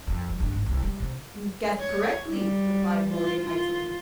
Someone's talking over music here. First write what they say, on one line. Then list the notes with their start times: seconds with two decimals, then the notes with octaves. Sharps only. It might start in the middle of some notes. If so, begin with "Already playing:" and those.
"You have guessed correctly," replied Morgan, icily.
0.07 F2
0.28 F#3
0.40 G2
0.53 G#1
0.66 C2
0.83 G3
1.00 C3
1.80 C#5
2.30 G3
3.12 F4
3.46 F4